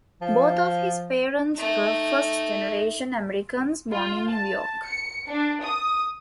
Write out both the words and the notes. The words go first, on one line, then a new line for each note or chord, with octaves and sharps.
Both of his parents were first-generation Americans born in New York.
F3
A3 D#4
F4
A5
C#7
D4
D#6